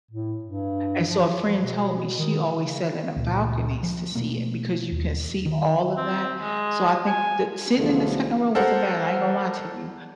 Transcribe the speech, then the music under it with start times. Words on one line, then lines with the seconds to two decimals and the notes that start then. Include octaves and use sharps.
and so a friend told me she always sat in a balcony to see it because you can see all of that so I think that sitting in the second row wasn't bad I ain't gonna lie to you
0.11 A2
0.45 G2
1.07 F3
1.47 F3
1.63 B2
2.18 D#3
2.59 C#3
3.16 C#2 A#2
3.83 F3
4.15 B2 A3 A#3
4.92 D#2
5.46 D#3
5.97 C4
6.41 G#3
7.07 G#5
7.78 B1 D3 E3 F3 G#3 A3
8.55 A4 A#4 C5 F#5